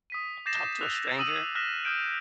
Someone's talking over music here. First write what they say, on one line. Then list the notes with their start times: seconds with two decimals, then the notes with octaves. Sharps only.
talk to a stranger?
0.10 D#6 B6 D#7
0.46 D6 G6 A6 A#6 C7 E7
0.81 E6 F#6 F7
1.19 D#6 E6 D#7 F#7
1.55 D#6 F6 F#6 A#6 B6 E7
1.84 D#6 F6 G6 D7 E7